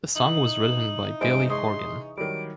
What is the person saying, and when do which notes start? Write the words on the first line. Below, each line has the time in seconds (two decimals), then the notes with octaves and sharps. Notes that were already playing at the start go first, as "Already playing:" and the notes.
The song was written by Billy Corgan.
0.16 D#4 E4 F#7
1.21 G2 E3 G#3 C5 C#5 D7
1.50 G#3 G#4 C6 C#6 D#6
2.17 D#3 F#3 G3 D7